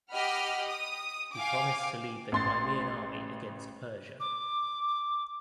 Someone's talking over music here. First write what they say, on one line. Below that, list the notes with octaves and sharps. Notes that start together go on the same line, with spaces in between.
He promised to lead the Crimean army against Persia.
G4 D#5 F#5 B5 F6
D#6
F5 G5 G#5 D6
A1 C6 A6
D6